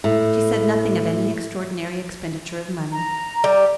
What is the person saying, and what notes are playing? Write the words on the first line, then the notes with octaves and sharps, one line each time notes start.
She said nothing of any extraordinary expenditure of money.
A2
A#5
G3